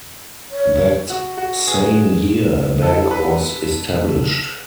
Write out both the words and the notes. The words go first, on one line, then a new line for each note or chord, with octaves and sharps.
That same year, a bank was established.
C#5
F#4
F#4
G#4 B4
E4 A4
B4